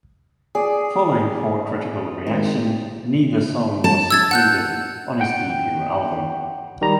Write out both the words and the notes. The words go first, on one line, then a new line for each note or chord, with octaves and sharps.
Following poor critical reaction, neither song was included on his debut album.
G#4 D5
G#1 G4
A5
E6 G#6 A6
F#5 F#6 G6
F#5 G5
D#3 G3 A#5